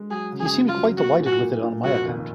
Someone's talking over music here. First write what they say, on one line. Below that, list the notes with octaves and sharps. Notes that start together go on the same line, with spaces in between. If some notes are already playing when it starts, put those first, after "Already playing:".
He seemed quite delighted with it on my account.
Already playing: G#3
F#3 G#4
C#3
G#4
F#2
F4
F#3
A#3 F#4
A#2
F#4
A#2
A#2
F1 F#4
D#2